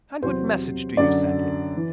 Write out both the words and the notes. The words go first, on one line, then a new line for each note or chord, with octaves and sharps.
"And what message do you send him?"
E2 C3 F#3 C5
F#2 D3 F#3 D5
E3